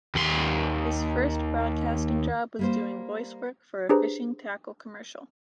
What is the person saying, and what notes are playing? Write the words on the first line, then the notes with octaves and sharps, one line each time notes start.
His first broadcasting job was doing voice work for a fishing tackle commercial.
D#2 C6
G3 A#3 C5
D4 G4 G#4 B4 C5 A#5